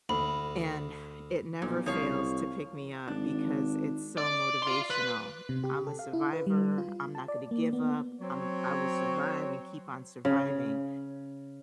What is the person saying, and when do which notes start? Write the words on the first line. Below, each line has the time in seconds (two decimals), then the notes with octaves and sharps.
and it never fails to pick me up because it's so motivational, "I'm a survivor, I'm not gonna give up. I'm I will survive and keep on surviving,"
0.09 D2 B5
1.62 B1 A#2
1.86 C2 F3 C#5 F5
3.08 G#1 D4
4.18 D5
4.62 F5 C6
4.90 B4
5.49 C3
5.64 G4
5.87 A4
5.99 F5
6.13 E4
6.33 B4
6.46 G3
6.78 F4
7.15 A5
7.28 D5
7.51 A#3
7.73 B3
8.21 F#3 C4 C#5
10.25 C#3